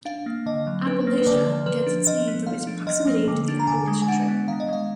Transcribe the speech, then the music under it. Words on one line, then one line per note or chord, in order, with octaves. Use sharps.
"Appalachia" gets its name from its proximity to the Appalachian Trail.
D4 F5
A#3
D3 D#5
F#3
D4 B4
A#3
B4
D3 D5
F3
F3 B4
D4
F3 D#5
B3
F3 F5
D4
F3 D#5
A#3
D3
D4
A#5
D3 G#5
G#3
G#5
D4 F#5
B3
D#3 F5
D#5
G#3 F5